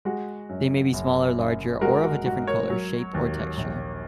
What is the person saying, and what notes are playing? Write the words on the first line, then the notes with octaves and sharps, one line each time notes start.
They may be smaller, larger, or of a different color, shape, or texture.
G#3 F#4
F#2
F#1
F#2
G#3 F#4 A#4
F#4
G#2 F#4
A#4 C#5
F#3
D#2
A#1